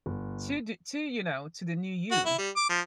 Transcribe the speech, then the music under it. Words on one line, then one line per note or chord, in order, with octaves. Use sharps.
To do to, you know, to the new you
G1
F#4
E4
G3
D6
F3